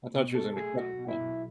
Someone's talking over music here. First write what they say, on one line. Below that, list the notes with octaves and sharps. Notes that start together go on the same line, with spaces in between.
I thought she was gonna cut her palm.
B2
B1 A4
A3 G#4
B1 F#4
B2
E4
B1